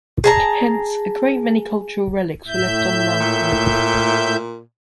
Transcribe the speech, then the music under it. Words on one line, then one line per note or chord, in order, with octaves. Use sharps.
Hence, a great many cultural relics were left on the mountain.
G#4 A5 A#5
A2 E5 G6
A#2